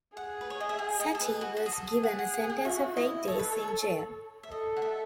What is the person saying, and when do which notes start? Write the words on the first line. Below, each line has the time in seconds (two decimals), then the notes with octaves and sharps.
Satie was given a sentence of eight days in jail.
0.17 G#4 F#5
0.41 B4
0.50 C#5
0.60 D#5
0.69 E5
0.79 F#5
1.00 D#5
1.15 A4
1.20 B4
1.41 F#4
1.57 F#4
1.66 G#4
1.72 A4
1.88 G#4
2.03 G#4 F#5
2.19 F#5
2.34 F#5
2.50 F#5
2.65 F#4 E5
2.96 E4 D#5
3.27 A4 C#5
3.39 B4
3.52 C#5
4.43 E5
4.51 A4 D#5
4.77 F#5
4.82 E5